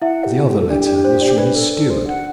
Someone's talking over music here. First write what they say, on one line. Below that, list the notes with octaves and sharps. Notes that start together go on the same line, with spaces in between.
The other letter was from his steward.
E4 E5 F#5
G4
G4
A4
D4 G4 D5
D4 D5
C5
D4 D5
D4 B4 D5
A4
A4
C5
F#5